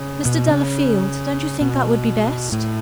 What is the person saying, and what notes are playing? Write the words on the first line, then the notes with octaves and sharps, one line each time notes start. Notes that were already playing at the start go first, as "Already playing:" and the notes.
Mr. Delafield, don't you think that would be best?...
Already playing: C#3
B2
C#3
B2
A2